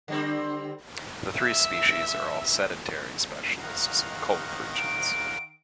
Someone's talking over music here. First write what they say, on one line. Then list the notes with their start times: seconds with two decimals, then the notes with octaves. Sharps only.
The three species are all sedentary specialists of cold regions.
0.08 D3 G3 C4
1.36 E5
3.59 D#3 F5 F#5 A#5
4.74 D7